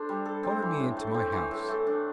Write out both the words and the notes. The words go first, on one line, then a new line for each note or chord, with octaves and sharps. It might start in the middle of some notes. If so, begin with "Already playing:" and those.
Follow me into my house.'
Already playing: D4 A4 C5
G3
A4
C4
E3
A2
A3
C4
E3
A2
A3
D4